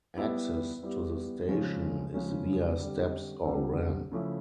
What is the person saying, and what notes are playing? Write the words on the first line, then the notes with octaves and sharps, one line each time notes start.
Access to the station is via steps or ramp.
G3 B3 E4 G4
G3 B3 E4 G4
C#3 F3 G#3 C#4
C#3 F3 G#3 C#4
D3 G3 C4
D3 G3 C4
C#3 F3 A3 C#4 E4